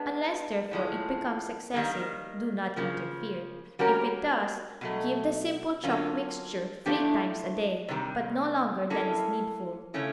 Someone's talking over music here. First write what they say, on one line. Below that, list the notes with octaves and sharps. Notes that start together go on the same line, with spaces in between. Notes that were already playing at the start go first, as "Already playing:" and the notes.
Unless, therefore, it becomes excessive, do not interfere; if it does, give the simple chalk mixture three times a day, but no longer than is needful.
Already playing: G#3 B3 D4
A2 F3 G#3
D#3 G3 A#3
C#3 F3 A#3
G3 A#3 C#4 F#4 A#4
B2 F#3 A3
D3 F#3 A#3 C#4 F4
A2 F3 A3 D4 G4
C3 D#3 G3
A#3 C#4 E4 A4
C#3 F3 A3 C#4 E4